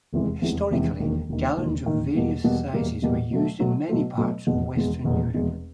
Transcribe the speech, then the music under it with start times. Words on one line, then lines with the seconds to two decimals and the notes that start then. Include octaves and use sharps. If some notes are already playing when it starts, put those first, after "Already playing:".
Historically, gallons of various sizes were used in many parts of Western Europe.
0.13 F1 E2 C3 E3 G#3
0.42 F1 E2 C3 E3 G#3
0.70 F1 E2 C3 E3 G#3
0.99 E1 D#2 D#3
1.29 E1 D#2 D#3
1.57 E1 D#2 D#3
1.86 E1 D#2 D#3
2.15 E2 B2 G3 A#3
2.44 E2 B2 G3 A#3
2.73 E2 B2 G3 A#3
3.02 E2 B2 G3 A#3
3.31 B2 F#3 A3
3.60 B2 F#3 A3
3.89 B2 F#3 A3
4.18 B2 F#3 A3
4.47 F1 E2 B2 G#3
4.76 F1 E2 B2 G#3
5.04 F1 E2 B2 G#3
5.34 F1 E2 B2 G#3